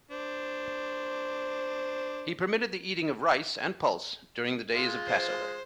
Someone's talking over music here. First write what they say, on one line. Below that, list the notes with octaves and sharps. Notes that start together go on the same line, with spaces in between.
He permitted the eating of rice and pulse during the days of Passover.
D4 C5
G#3 F4
C5